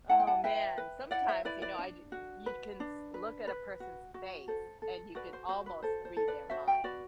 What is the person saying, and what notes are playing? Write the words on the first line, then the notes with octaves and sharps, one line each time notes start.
Oh man, sometimes, you know, I j you can s look at a person's face and you can almost read their minds.
E4 F#5 A5
G5
F#5 A5
B4 E5 G5
B4
E4 D5 F#5
C5 E5
E4 B4 D5
B4 D5
D4
F#4
B4
D4
B4
B4
F#4
F#4
A4 C5
A4
F#4 B4 D5
C5
F#4 C5
B4
A4 C5
C5
A4
B4 D5
F#4 C5 E5
E5 G5
F#4 B4 D5